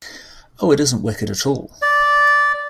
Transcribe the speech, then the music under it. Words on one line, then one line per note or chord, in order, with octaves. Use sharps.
Oh, it isn’t wicked at all.
D5